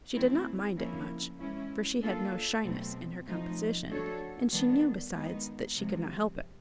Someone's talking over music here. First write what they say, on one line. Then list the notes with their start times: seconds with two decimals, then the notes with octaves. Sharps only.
She did not mind it much; for she had no shyness in her composition; and she knew, besides, that she could not help it.
0.14 E3 A3 C4 E4
0.76 C#3 F3 A#3 C#4 E4
1.39 E3 G#3 C#4 E4
2.01 A#3 D4 F4 A4
2.63 B2 F#3 A3 C4
3.26 F3 A3 C4 D#4
3.88 A3 D4 F#4 A4 C#5
4.51 D#3 G3 B3 D4
5.13 D#3 G#3 B3 D#4
5.76 C3 F3 G#3